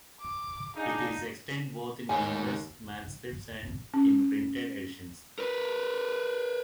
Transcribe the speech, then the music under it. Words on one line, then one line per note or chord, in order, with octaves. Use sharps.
It is extant both in numerous manuscripts and in printed editions.
D6
D4 D#4 G#4 F5
D#2 G#2 B3 C#5 G#5
C#4
A#4 B4